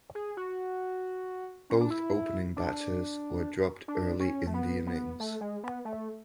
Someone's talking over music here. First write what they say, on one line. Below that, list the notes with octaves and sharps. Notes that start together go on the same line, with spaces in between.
Both opening batters were dropped early in the innings.
G#4
F#4
C#4
D4
E4
D4
D4
C#4
A3
B3
B3
A3
G#3
B3
A3